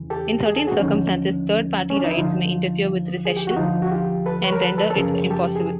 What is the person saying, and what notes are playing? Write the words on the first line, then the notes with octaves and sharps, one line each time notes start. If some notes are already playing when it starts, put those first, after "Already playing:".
In certain circumstances, third party rights may interfere with rescission and render it impossible.
Already playing: E2 C#3 E3
G4 A4
G#4
A4
F#4 G#4
D#2 D3 F3 C#4 D#4
C#4
D4
D#4
E4
D2 D3 F3 D#4 F4
G#4
G4
F#4
D2 D3 F3 D#4 F4
F#4
F4 G4
A4 B4
B4 C#5
A#4
A4 B4
A4 B4
A4
F#2 C#3 F3 G#4 A#4
G4 A4
G#4